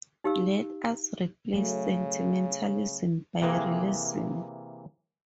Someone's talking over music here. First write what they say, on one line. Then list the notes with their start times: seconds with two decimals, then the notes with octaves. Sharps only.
Let us replace sentimentalism by realism.
0.24 D#4 G4 F5 E6
1.54 C#3 F#3 A3
3.41 C3 E3 A#3 G#4 A#4